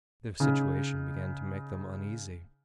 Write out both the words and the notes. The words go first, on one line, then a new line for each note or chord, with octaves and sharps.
Their situation began to make them uneasy.
C#3 D#4